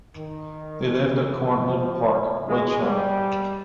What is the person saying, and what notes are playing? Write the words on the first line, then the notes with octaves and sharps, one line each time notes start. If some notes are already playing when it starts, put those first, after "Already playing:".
They lived at Conholt Park, Wiltshire.
D#3
E3
F3
G#3
G3